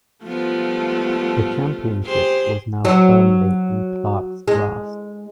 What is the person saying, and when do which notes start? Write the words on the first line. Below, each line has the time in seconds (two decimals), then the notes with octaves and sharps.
The championship was now firmly in Clark's grasp.
0.24 F3 G3 A3 B3 F4
2.05 G4 G#4 C5
2.85 F#3
4.48 G#3